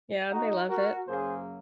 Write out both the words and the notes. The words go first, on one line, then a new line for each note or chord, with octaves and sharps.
Yeah, they love it.
D#4 F#4
F#4 A#4
F#2 C#3 F#3 A#3 G#4 C5